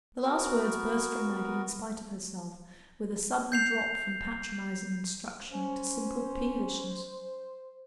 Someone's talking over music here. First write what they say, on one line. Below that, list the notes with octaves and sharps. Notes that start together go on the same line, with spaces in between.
The last words burst from Maggie, in spite of herself, with a sudden drop from patronizing instruction to simple peevishness.
B3 F#4 A#4
G6 C7 F7
C#4 C5